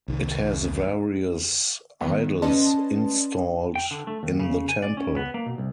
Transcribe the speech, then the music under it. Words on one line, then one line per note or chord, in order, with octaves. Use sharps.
It has various Idols installed in the temple.
C2 D#3
D#3 B3
C#4 B4 D5 D#5 A5 C6
G5
D3
A3
D#2
C#3
G#5
D5
C#4
B3
A#3
B2
C2